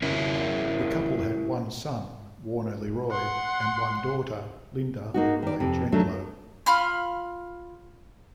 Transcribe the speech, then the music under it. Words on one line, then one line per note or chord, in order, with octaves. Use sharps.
The couple had one son, Warner LeRoy and one daughter, Linda LeRoy Janklow.
C#4 E4 A#4 C#5 E5
F#5 C6
A#3 D#4 F#4
D#3 D5
F2 C3
D#2 F#3 A3 D4
F4 B5 F6